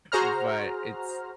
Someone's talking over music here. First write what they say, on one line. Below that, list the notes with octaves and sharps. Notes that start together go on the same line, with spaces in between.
but it's
F#4 G#4 C5 A#5 F6